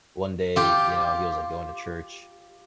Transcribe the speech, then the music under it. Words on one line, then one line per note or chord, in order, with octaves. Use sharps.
one day, you know, he was, like, going to church
F4 G4